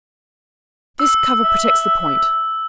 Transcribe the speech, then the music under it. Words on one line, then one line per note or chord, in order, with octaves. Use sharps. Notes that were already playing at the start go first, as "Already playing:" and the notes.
This cover protects the point.
E6
E5